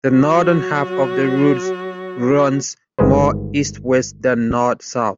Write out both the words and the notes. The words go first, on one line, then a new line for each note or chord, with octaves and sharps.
The northern half of the route runs more east-west than north-south.
F#3 F#4
G1 D#3 G#3 B4 C5